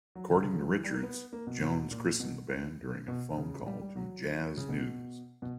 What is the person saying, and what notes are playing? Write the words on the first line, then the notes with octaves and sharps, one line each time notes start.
According to Richards, Jones christened the band during a phone call to "Jazz News".
F#3
D3
C#3
F#3
E3
G3
A#3
B3
A#3
B2
B2
A#2
B2
B2
C#3
G3
G3
F#3
C#3
B2
B2